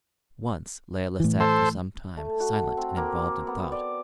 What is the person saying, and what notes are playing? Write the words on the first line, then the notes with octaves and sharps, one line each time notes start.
Once Layelah sat for some time silent and involved in thought.
A2 E3
A4 C5
A3
F#4
C4
A#3
B3
D5